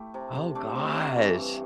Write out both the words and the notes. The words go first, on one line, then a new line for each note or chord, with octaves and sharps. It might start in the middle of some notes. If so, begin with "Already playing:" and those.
Oh gosh.
Already playing: A3 E4 G4
C3
C3
A3 D4
C3
C3
E3
G2